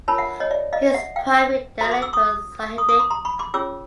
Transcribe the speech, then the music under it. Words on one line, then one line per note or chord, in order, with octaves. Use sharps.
His primary dialect was Sahidic.
D4 F4 A#4 C#5 A5 B5
E5 F#5
C#5 D#5
D5 E5
D#5 F5
E5 F#5
F5 G5
F#4 A4 C5 A#5 C6
C6 D6
D6 E6
C#6 D#6
C#6 D#6
C#6 D#6
C6 D6
A#5 C6
B5 C#6
C6 D6
C#4 F4 G#4 C#5 D6 E6